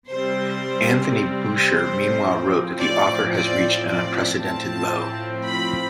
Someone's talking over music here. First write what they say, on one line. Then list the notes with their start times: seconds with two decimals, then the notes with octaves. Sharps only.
Anthony Boucher meanwhile wrote that the "author has reached an unprecedented low".
0.11 C3 G3 C4 C5
1.72 C5
2.26 A2 F3 C4
2.79 D5
3.34 D5
3.87 D5
4.41 A2 F3 C4 A5
5.49 B5